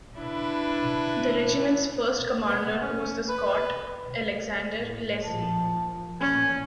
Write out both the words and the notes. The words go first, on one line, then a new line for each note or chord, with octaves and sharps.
The regiment's first commander was the Scot Alexander Leslie.
D4 E4 B4
B3
C#4
B4
A2
A#2 F3 A5
A1 A#2 C#4 G#5